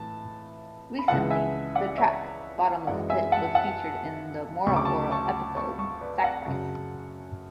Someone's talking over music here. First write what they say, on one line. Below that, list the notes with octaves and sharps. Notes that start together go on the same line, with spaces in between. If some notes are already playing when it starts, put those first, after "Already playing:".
Recently, the track "Bottomless Pit" was featured in the Moral Orel episode "Sacrifice".
Already playing: A2 E3 A5
B5
C#2 C#3 E3 G#3 F#5 A5
E5 G#5
D5 F#5
C#5 E5
F#2 E3 G#3 D5 F#5
E5 G#5
F#5 A5
F#5 A5
D2 C#3 F#3 C#6
D6
A5 C#6
A5 C#6
A5 C#6
A5 C#6
B4 D5
F#5 A5
F#2 C#3 F#3